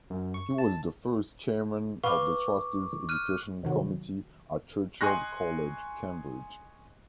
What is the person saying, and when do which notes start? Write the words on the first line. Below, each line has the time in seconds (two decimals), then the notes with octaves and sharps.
He was the first chairman of the Trustee's education committee at Churchill College, Cambridge.
0.10 F#2
0.34 C#6
0.58 A5
2.04 B4 F5 C#6 D6
3.09 F6 F#6 D#7
3.63 C3 D#3 F#3
5.01 D#5 G#5 C6 C#6 F#6 A#6